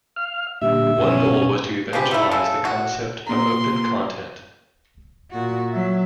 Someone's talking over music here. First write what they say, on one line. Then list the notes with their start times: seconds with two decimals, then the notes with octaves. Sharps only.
One goal was to evangelize the concept of open content.
0.16 F5 F6
0.62 A#2 D3 G3 E5
0.98 G2 B2 C#4
1.93 F3 G#3 G4 B4
2.11 A3 E4
2.31 C#3 A4
2.65 F#4
3.27 A#2 A#5 C6
5.31 A#2 F#4
5.71 F#3 E5